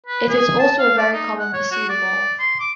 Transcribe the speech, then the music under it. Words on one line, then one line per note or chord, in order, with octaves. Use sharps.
It is also a very common pseudomorph.
B4
G#4
A5
F5
D5
D#4
F#5
C#5
F#4
D5
C6
D6